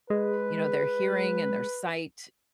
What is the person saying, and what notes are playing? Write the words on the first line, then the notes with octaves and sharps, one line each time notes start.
you know, their hearing and their sight
G#3 B4